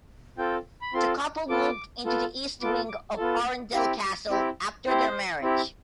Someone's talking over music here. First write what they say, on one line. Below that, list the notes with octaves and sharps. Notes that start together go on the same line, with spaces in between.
The couple moved into the East wing of Arundel Castle after their marriage.
C4 F4 A4 G5
B5
C4 F4 A4 C6
B3 F4 A4 D6
B3 F4 A4
B3 F4 A4 D6
D6
B3 F4 A4
C4 E4 G4
C4 E4 G4
C4 E4 G4 C5
C4 E4 G4